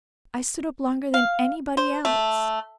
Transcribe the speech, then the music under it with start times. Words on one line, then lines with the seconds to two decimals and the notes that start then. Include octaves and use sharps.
"I stood up longer than anybody else."
1.14 F5
1.77 C5
2.05 A3